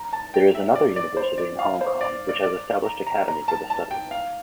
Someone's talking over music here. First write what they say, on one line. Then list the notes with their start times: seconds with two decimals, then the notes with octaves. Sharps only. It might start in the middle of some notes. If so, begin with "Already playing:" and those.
There is another university in Hong Kong which has established academy for the studies.
Already playing: A#5
0.13 A5
0.34 G5
0.55 E5
0.75 D5
0.96 D5
1.17 C5
1.38 D5
1.59 F5
1.81 C5
2.01 D5
2.29 D5
2.43 D5
2.85 A#5
3.07 A#5
3.28 A#5
3.48 A5
3.70 A5
3.91 G5
4.11 F5